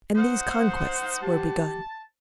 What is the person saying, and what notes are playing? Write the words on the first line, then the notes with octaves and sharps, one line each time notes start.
And these conquests were begun.
D#4 C5 F#5
G4 A5